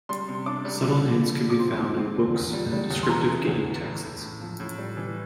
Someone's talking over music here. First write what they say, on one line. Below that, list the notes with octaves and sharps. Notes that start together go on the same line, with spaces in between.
Subtle hints can be found in books and the descriptive game texts.
G3 C6
C3
D4 D6
G3
D3
F3
F3
D3
D6
C4 C6
D3
C4
D3
E2
G3
G3
E2
C6
E3 A#5
A3
E2
E3
A2
A2
A2
F3
A2
G3
E3